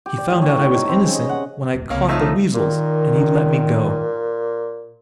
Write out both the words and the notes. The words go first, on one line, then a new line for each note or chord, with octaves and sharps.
He found out I was innocent when I caught the Weasels and he let me go.
G4
D5
A2
C#5
A2
D#3
C4
C#3
D#5
F#5
D#1 F4
C2 C#3 A#3 C#4 F5
F3 A3 D#4 F4 C#5 E5
A#2 D#3